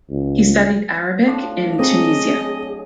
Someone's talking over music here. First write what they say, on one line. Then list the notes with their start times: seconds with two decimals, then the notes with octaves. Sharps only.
He studied Arabic in Tunisia.
0.11 C#2
1.25 A2 F3 D4
1.79 F#3 C4 G#4 D#5